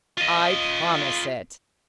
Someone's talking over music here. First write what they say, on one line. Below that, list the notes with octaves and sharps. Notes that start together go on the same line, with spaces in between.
"I promise it."
F4 D#5